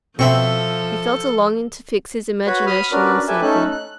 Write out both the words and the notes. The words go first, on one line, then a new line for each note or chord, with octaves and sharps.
He felt a longing to fix his imagination on something.
B2 F3 C4 A4 E5 C#6
F#4 B4 C#5 B5
B5 D#6 F6
C#4 D4 F#4 A#4 B4 D5
G4 A4 B4 E5 G#5
A3 C#4 D#4 A4 F#6
F#6